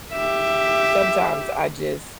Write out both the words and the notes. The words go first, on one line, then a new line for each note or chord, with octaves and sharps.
sometimes I just
G4 E5